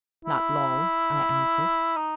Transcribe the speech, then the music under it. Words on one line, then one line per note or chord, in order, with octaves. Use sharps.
"Not long," I answered.
E4
D#4